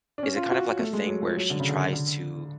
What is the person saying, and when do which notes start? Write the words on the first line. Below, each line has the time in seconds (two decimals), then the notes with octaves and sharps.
Is it kind of like a thing where she tries to
0.18 D4
0.23 C#4
0.36 F4
0.51 F#4
0.79 A3
0.93 G#3
1.07 F#3
1.22 F3
1.36 F#3
1.50 D3
1.60 C#3
1.69 D3
1.93 D3